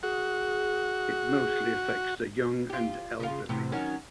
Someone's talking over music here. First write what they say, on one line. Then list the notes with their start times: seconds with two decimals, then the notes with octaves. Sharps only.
It mostly affects the young and elderly.
0.03 F#4 G#4
2.70 F4 G4
3.20 C#3 F4
3.49 E2 A2 C3
3.72 D#3 F#3 C#4